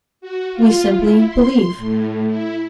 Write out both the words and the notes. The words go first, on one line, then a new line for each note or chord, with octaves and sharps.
We simply believe.'
F#4
F4
E4
C6
A2
E4